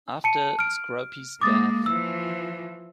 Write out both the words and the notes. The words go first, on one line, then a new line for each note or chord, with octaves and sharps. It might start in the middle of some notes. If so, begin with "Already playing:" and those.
After Scrope's death.
A5 C#7 D#7
F6 D7
G#3 A#3 D6 D#6 A6
E3 F3 E6